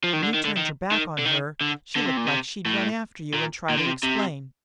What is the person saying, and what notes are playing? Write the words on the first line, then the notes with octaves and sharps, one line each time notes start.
When you turned your back on her she looked like she'd run after you and try to explain.
F3
D#3
D3
D#3
D3
D#3
D#3
D3
D#3
D3
D3
C3
A#2
C3
A2
A#2
A#2
D3
C3
C3